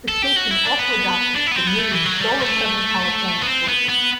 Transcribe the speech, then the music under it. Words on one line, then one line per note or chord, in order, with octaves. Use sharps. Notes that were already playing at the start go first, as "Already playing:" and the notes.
The station also adopted the new "Soul of Southern California" slogan.
A4
G4
F#4
E4
D4
B3
D4
E4
B3
C4
B3
A3
E3
F#3
G3
A3
B3
C4
B3
B3